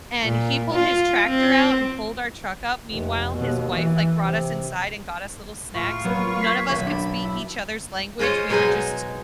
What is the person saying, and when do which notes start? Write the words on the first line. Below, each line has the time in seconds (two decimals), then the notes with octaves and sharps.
and he pulled his tractor out and pulled our truck up. Meanwhile, his wife, like, brought us inside and got us little snacks. None of us could speak each other's language, we were just
0.22 A#2
0.74 F4
1.26 C4
2.90 F1
3.36 D#2 B2
3.71 E3
4.21 C3
5.74 A2 F4 C#6
6.04 F#3 A#3 B3
6.41 G#6 B6 C7
6.69 D#1 B1 B5
6.86 D4
7.24 E4
8.19 G#3 F4 C5 C#5 D#5
8.49 B2 F#3 G#3 D#4 D#5 G#5